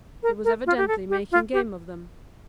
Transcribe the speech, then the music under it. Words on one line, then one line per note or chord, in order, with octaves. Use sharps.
He was evidently making game of them.
A#4
A#4
F4
G4
A4
G4
F4
G4